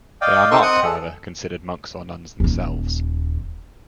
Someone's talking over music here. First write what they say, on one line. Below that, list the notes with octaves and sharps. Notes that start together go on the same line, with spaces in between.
They are not, however, considered monks or nuns themselves.
D5 D#5 F5 G5
D#4 A4 A#4 G5 C6 C#6
C4 D#5 F#5 D#6
G#4 A4
D#1 D#2